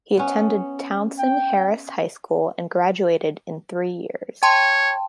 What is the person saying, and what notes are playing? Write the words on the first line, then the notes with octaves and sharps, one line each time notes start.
He attended Townsend Harris High School and graduated in three years.
B3 C#4
G5
C#5 G5 A5 C6